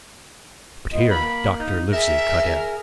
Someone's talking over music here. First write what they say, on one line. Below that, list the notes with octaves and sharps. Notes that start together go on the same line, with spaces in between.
But here Dr. Livesey cut in.
B3 F4 D#5
A#3 A#4 B5
D#4
G#4 A#4 E5